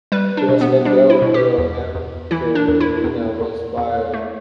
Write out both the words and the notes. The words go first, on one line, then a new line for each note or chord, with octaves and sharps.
He was let go, though, after Arena was fired.
G3 B4
D4
B2
B3
G3 D4
E4
B2
G4
E2
E2
E3 E4
D4
E2
E4
E2
E2
E2
A3